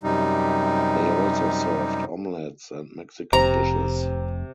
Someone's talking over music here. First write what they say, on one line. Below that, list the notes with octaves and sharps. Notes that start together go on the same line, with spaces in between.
They also served omelettes and Mexican dishes.
F#2 C3 G3 D#4
F1 C3 A#5